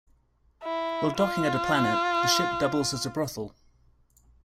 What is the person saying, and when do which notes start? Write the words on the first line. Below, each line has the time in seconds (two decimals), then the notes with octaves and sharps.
While docking at a planet, the ship doubles as a brothel.
0.63 E4
1.17 F4